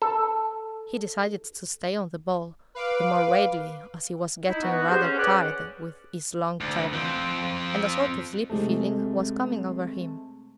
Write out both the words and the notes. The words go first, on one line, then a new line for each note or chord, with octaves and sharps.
He decided to stay on the ball, the more readily as he was getting rather tired with his long traveling, and a sort of sleepy feeling was coming over him.
A4
B4 F5 D6
D#4 E4
B3 F#4
D2 G4 G#4 C5
C#4
G#4 B4 C#5 D5 F#5
D2
F2 C4
C3 G#3 A3